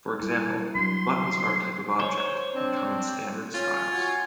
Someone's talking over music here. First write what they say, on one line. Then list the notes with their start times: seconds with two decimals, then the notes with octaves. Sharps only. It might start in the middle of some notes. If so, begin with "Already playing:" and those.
For example, buttons are a type of object, and come in standard styles.
0.20 G3 E4
0.75 F#3 D4 F#4 C6
2.00 C5 C#5
2.53 C4 D4
3.54 C#4 F4
3.92 F#4 C#5 G#5